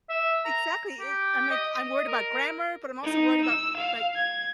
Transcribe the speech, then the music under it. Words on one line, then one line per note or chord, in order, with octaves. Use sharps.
Exactly, i i I'm, like, I'm worried about grammar, but I'm also worried about, like,
E5
A#5
G4
D#5
D#5
A#4
D#4
E6
F5
G#6